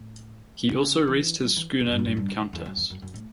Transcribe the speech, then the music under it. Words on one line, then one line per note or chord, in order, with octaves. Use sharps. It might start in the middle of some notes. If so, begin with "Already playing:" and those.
He also raced his schooner named "Countess".
Already playing: A2
C#3
E3
F#3
E3
B2
F#2
G2
F#2
G2
G2
F#2
F#2
E2
F#2
E2
F#2
F#2
A2